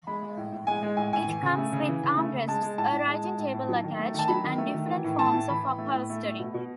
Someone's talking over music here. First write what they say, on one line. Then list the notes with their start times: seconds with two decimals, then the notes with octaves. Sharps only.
It comes with armrests, a writing-table attached, and different forms of upholstering.
0.07 G#3 B5
0.23 G#3
0.37 A2
0.52 A2
0.67 G#3 G#5
0.83 G#3
0.97 A2 G#5
1.13 A2 G#5
1.28 E3
1.42 C#3
1.58 A3
1.72 C#3
1.88 E3
2.03 C#3
2.17 A3
2.32 C#3
2.48 G#3 A5
2.63 G#3
2.78 A2 A5
2.92 A2
3.08 G#3
3.24 G#3
3.38 A2
3.54 A2
3.69 F#3
3.84 D#3
3.99 A3
4.14 D#3 A5
4.28 F#3 B5
4.44 D#3
4.58 A3
4.74 D#3
4.89 E3
5.04 A2
5.19 A3 A5
5.33 A2
5.49 E3 B5
5.64 A2
5.78 A3
5.94 A2
6.10 A3
6.24 A3
6.39 B2
6.54 B2